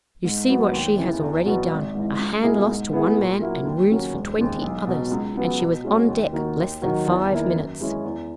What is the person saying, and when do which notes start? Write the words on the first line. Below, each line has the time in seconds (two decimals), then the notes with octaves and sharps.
You see what she has already done--a hand lost to one man and wounds for twenty others--and she was on deck less than five minutes.
0.24 G#2
0.48 F#3 B3
0.73 D#2
0.97 C#3 E3
1.22 E2
1.46 B2 F#3 B3 F#4
1.70 G#1
1.95 G#2 E3
2.19 C#2
2.43 B2 A#3 E4 G#4
2.68 G#2
2.92 E3 B3 E4 G#4
3.16 A#2
3.41 F#3 A#3 E4
3.65 D#2
3.90 C#3 F#3 A#3 C#4
4.13 E1
4.39 D#2 C#3
4.62 B1
4.87 B2 F#3
5.11 C#2
5.35 C#3 F#3 B3
5.60 B2
5.84 G#3 C#4 F#4
6.08 D#2
6.33 D#3 A#3 D#4 F#4
6.57 D#2
6.82 D#3 F#3
7.06 E2
7.30 D#3 A#3 E4
7.55 F#2
7.79 E3 G#3 C#4 E4
8.04 E2